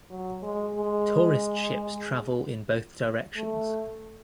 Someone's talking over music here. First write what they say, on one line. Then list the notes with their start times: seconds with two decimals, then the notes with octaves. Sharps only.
Tourist ships travel in both directions.
0.10 F#3
0.43 G#3
0.76 G#3
3.37 A3